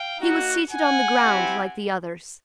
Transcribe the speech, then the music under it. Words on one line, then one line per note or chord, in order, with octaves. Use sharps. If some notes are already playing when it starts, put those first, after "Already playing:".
He was seated on the ground like the others.
Already playing: F5 G5
A#3 D#4 F#4
F#5 G#5
C4 E4 G4